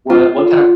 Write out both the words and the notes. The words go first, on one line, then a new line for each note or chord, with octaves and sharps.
What what kinda
F4